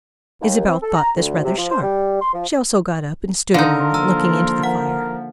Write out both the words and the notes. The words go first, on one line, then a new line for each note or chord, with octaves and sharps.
Isabel thought this rather sharp; she also got up and stood a moment looking into the fire.
D#2
C4
A4
A#5
D2
C3
F3
C5
G3
C6
F3
D3 D#4 A4 A#4 F5 C6
F3 A#3 A#5 E6
A#4 F#5